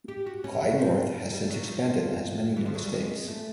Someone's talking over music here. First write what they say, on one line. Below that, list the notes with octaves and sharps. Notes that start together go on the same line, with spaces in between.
Clyde North has since expanded and has many new estates.
G4
F#4
C#4
C#4
C4
G3
F#3
F3
E3
F3
F#3
G3
G#3
A3